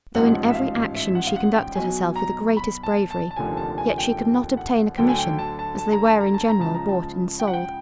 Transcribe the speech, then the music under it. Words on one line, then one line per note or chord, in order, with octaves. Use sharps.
Though in every action she conducted herself with the greatest bravery, yet she could not obtain a commission, as they were in general bought and sold.
A1 G#2 F3 F#5
E5
F5
E5
F#5
F5
F#5
G5
B1 B2 F#3 G#5
A#5
B5
A5
A5
A5
F1 D#2 D3 F3 G#5
A5
G#5
G5
G5
F#5
D2 D3 F#3 G5
G#5
G5
A5
A5
A5
A#5
A5
A#5
A5
A#5
C#2 C#3 F3 A5
A#5
A5
G5
F#5
G5